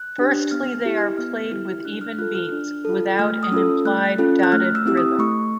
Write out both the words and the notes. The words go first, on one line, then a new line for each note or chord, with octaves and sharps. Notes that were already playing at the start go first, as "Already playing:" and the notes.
Firstly they are played with even beats, without an implied dotted rhythm.
Already playing: F#6
D4 G4
B3 F6
E4 G4
B3 F6
E4 G4 F6
D4 F#6
F6
F4 A4 F#6
F6
D4
F4 A4
A3 F6
D#6
C#4 F4 A4 E6
A3 F#6
C#4 F4 A4
F#6
A3 F6
E6
C4 E4 G4 E6
D#6
A3 C#6